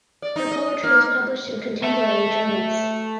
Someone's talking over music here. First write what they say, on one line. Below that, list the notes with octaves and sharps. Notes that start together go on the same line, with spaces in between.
Her poetry was published in contemporary journals.
D5
D#4
D#5
A#3
A4 E5